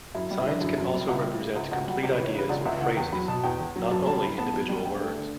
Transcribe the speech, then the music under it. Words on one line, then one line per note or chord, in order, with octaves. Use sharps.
Signs can also represent complete ideas or phrases, not only individual words.
F#2 E4
G3
E4
D3
F#2 E4
F#2
G3
C#2 E4
G3
C#3
C#2 E4
C#2 F#4
G3 F#4
C#2 G4
B4
E3
C#5
C#3 B4
C#2 D5
C#2 E5
E3 F#5
E2 G5
F#3 B5
B2 A5
E2 G5
E2
F#3
F#2 A5
G3 A5
E3 B5
B3 A5
F#2
G3
G2 G5
A3
D3